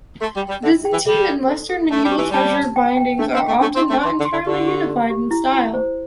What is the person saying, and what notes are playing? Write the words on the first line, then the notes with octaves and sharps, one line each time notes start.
Byzantine and Western medieval treasure bindings are often not entirely unified in style.
A3 C6
G3
G5
G3
D3 E5
G5
E3
G3 E5
A4
A4
A4
A3 A5
G3
G4
E3
G3 A5
A5
G5
G5
A3 D4
C4
G5
A3
A3 D4
C4
C6
A3
E3 C6
D3
C6
D3
D3 G4
G4
C6
G4
E4
E4
C5